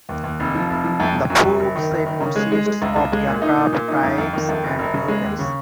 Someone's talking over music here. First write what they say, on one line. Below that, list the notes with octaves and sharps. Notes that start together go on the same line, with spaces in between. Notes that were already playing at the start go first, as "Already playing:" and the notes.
The full set consists of aircraft types and vehicles.
D#2
D#2
F1
F3
F1
F3
F2
F2
F#2
F#1
F#1
D#3
F#1
D#3
C#3
G#3
G#3
G#3
C#2
C#2
G#3
A#2
D#4
A#2
A#2
D#4
F2
F2
D#3
F2
F#1
F#1
C#3
G#3
D#2
C#3